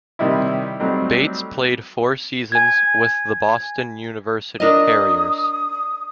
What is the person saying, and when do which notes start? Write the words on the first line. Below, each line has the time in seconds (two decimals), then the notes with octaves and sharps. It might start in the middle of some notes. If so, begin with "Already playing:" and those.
Bates played four seasons with the Boston University Terriers.
0.19 C3 D#3 G3 D#4 E4
0.80 F#3 G3 A3 C4 D#4
2.52 G#5 G#6
4.60 D4 A#4 D#5 D#6